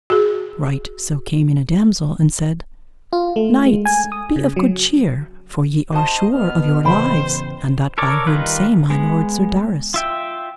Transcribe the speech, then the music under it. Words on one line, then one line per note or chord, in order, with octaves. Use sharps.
Right so came in a damosel and said: Knights, be of good cheer, for ye are sure of your lives, and that I heard say my lord, Sir Darras.
F#4 G#4
F4
A3
G#3
G#5
D#6
C#3
F#3
F#4 C5 D#5 A5
B2 B3 F6
A1 C#3 E3 C5 G5 B5
A4 A#4 C#5 D5
D#3 G3 D#4 F4 B4
G#3 B3
F4 E5 G5